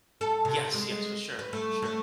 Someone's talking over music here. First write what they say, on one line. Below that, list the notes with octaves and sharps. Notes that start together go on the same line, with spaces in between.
Yes, yes, for sure, for sure.
A4
C3
G#3
B4
A3
A3